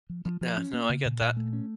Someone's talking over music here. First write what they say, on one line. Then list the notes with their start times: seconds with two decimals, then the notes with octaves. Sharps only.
M uh, no. I get that.
0.09 F3
0.26 F3
0.41 F3
0.58 C#4
0.73 A#3
0.89 C#3
1.05 A#2
1.21 A#2
1.37 A3
1.53 C#4